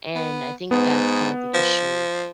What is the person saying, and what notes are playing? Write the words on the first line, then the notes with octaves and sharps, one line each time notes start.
And I think that's kind of the issue
B3
G#2 B3
F3